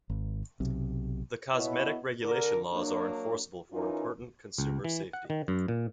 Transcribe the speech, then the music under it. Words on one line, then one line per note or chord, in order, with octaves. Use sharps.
The cosmetic regulation laws are enforceable for important consumer safety.
G#1
B1 C3
B2 B3 E4 C#5 D#5
D3 A#4
F#3 A#3 D4
E3 C#4 D#4 F4 A#4
C#2
E3
F#5
D#3
F#2
A#2